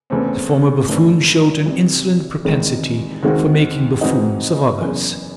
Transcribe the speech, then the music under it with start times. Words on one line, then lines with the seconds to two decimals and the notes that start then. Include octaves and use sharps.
The former buffoon showed an insolent propensity for making buffoons of others.
0.10 E2 C#3 E3 A3 C4
0.88 G#1 F#2 E3 A3 C4
1.66 C2 C3 E3
2.45 E1 E2 C3 D#3 G#3
3.23 D#2 D#3 G#3 C4 F#4
4.01 G#2 E3 C4 D#4 F#4
4.80 F#1 E2 C#3